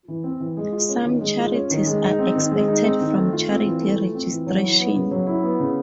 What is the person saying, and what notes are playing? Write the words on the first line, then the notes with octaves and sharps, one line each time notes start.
Some charities are 'excepted' from charity registration.
E3
C4
E3
G#3
F4
C#4
D#3
G#3
F4
C#4
D#3
G#3
D#4
C4
D#3
G#3
D#4
C4
D#3
A3
F4
C4
E3
A3
F4
C4
E3
F#3
E4
B3
C#3
F#3
E4
B3
C#3